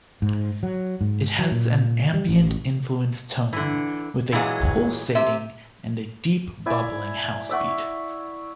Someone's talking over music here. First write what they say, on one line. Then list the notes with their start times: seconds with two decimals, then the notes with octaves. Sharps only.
It has an ambient-influenced tone, with a "pulsating" and a "deep, bubbling" house beat.
0.22 G#2
0.63 F#3
1.01 G#2
1.39 F#3
1.52 A#2
2.14 G3
2.29 A1
3.53 D3 E3
4.32 A#2 E3 F#3 G#3
5.15 C3 E5
6.66 E4 D5 G#5
7.49 D5 E5 F#5 C#6